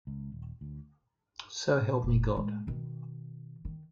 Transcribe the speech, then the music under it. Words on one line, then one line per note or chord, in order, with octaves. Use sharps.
So help me God.
C#2
D#1
D2
F1
A2 G#3
B2 D#3
D#3